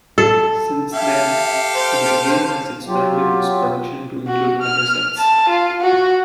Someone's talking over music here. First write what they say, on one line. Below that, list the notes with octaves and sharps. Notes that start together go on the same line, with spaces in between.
Since then, In The Game has expanded its production to include other sets.
A4
G4 A4 E5 F5
C5
F#3 F4 G4
F#4
F6
A5
F4
F#4